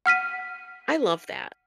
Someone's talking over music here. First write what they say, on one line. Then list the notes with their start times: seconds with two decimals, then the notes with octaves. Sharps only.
I love that
0.06 F#5 F6 B6 D#7